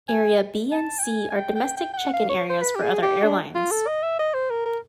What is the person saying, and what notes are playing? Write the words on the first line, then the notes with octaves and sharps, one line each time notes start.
Area B and C are domestic check-in areas for other airlines.
G#5
A5
G5
G#5
G#5
G5
G5
G5
G5
F#5
F5
C#5
C5
B4
G4
G#4
G4
D4
F4
A4
D#5
E5
D#5
C5
A#4
A#4